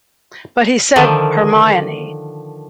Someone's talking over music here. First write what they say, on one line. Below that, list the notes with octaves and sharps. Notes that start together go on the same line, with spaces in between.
But he said 'Hermione.
D3 D#3 F3